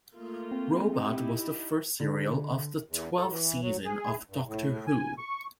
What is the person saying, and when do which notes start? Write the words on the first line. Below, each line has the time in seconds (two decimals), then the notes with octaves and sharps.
"Robot" was the first serial of the twelfth season of "Doctor Who".
0.15 A3 A#3 F4
0.51 C4
0.97 D#4 E4 G4
2.00 D3
2.90 E2
3.17 A4
3.30 E3
3.62 F#3
3.85 G#4
4.30 G2
4.47 A2
4.87 G#5
5.18 C#6